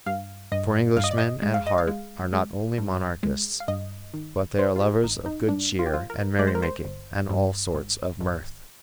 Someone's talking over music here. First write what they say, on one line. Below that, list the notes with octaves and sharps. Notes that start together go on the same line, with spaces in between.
For Englishmen at heart are not only monarchists, but they are lovers of good cheer and merrymaking and all sorts of mirth.
G2 F5
G2 D#5
G2 F5
D#5
D5
D#5
G#3
F5
D#5
F5
G#3
G#3
G2
G#3
F5
G2 D#5
D#3
G2 C5
F4
G4
G#1 D#4
D#4
G2 D4
F4
G4
F3 F4
A#4
G#3 D5
C5
A#4
C5
G1
G2
G#1
G#1